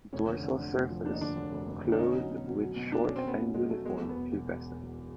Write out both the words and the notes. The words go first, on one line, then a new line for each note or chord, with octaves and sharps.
Dorsal surface clothed with short and uniform pubescence.
F1 C#4
D3
D3
D3
F1
F3
D#2 D4
D#4
D3 D4
D3
F1
F1
D3
D4
C#4 D#4
F#3
B2
F#3
F#3
B2
B2 D4
C#4 D4
C4
B3 C#4
B2
F#3 G#3
F#3 A3
E2 G#3
E2 A3
B3
E1
E1